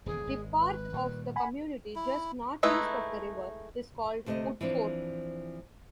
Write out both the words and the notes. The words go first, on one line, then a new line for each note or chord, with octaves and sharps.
The part of the community just north-east of the river is called Woodford.
D#1 E2 D3 G#4
G#1 G#3
B4
A#2 D#3 G3
F#5 G#5 B5
E4
G#3 A3 D#4 E4 B4
D2 C3 A3 G4 D#5
E3 F3 C4 D4